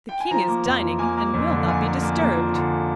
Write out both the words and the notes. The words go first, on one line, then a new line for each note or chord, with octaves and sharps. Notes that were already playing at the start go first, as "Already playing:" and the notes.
The King is dining, and will not be disturbed.'
G5
G#5
F3 A#5
A#3
F2
F3
A#3 G#5
A#3
F2
D3
D3 G#5
A#3
A#3
A#3
F3
D3